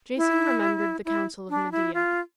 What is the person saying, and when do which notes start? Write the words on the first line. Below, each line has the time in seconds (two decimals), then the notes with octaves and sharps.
Jason remembered the counsel of Medea.
0.17 E4
1.05 E4
1.50 D4
1.72 E4
1.94 F4